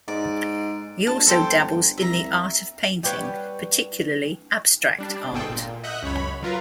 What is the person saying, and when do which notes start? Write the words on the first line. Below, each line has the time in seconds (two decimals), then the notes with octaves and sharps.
He also dabbles in the art of painting, particularly abstract art.
0.08 G#2 D5
1.07 A#1 A5
1.27 G1 A4 C5 G5
1.98 C2 E5 A#5
3.03 G3 G4 B4 C#5 F#5 G5
4.98 G3 D4
5.32 G1 G#2 B2 G#4 A4 G5
5.49 A#2
5.84 D#5 E5 F#5 F#6 G6
6.03 C#2 F#2 C#5 B5
6.43 F#3 F4 A#4 B4